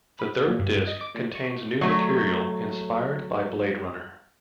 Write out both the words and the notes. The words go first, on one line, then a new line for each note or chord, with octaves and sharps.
The third disc contains new material inspired by "Blade Runner".
B5
A#2
G2
G2
D#5
D6
A#2
C#6
F#3 A3